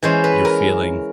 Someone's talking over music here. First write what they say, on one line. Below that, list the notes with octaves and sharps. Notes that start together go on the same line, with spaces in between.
you're feeling
E3 G#3 C#4 C5
B4
A#4